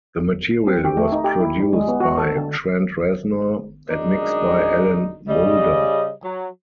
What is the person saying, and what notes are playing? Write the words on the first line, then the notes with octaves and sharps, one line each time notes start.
The material was produced by Trent Reznor and mixed by Alan Moulder.
C4
G4
A3
D#4
G4
E4
G3
G#3
B3
F#4
A4
D3
F#2 G#3 D4 D#4 D#5
C#3 G3 D#5
F#3